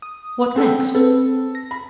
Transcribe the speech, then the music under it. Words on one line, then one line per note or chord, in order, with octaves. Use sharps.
What next?
D#6
C4 A4 F#5 G5
C4 A4 B4
A#6
B5